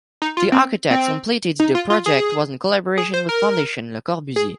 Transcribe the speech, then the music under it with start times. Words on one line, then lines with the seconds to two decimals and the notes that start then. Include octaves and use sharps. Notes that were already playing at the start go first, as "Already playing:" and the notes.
The architects completed the project was in collaboration with Fondation Le Corbusier.
0.22 D#4
0.37 F4
0.52 C4
0.91 C4
1.60 D#4
1.75 F4
1.90 F4
2.06 G#4
2.98 G#4
3.14 C5
3.29 A#4
4.36 G#4